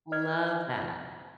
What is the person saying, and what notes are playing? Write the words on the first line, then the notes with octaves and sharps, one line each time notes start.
Love that.
D#5 F6 G#6